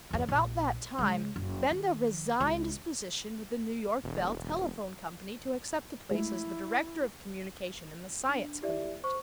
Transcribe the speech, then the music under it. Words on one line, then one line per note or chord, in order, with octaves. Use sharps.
At about that time Benda resigned his position with the New York Bell Telephone Company to accept a place as the Director of Communication in the Science Community.
G1 E2
A#1
C#3 G#3
F#1
D#3
C#2
E1
G#3 A3 E4
D4
E4 G4 D5 E5
C5 C#6